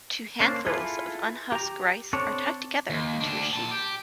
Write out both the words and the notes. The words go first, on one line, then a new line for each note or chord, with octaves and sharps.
Two handfuls of unhusked rice are tied together into a sheaf.
A#3 C#4 D4 C5
E4 F4 G#4 A4 B4
G4 A#5
C4 D4 A4 C#5
D#2
D2 D4
A#2 A5
G4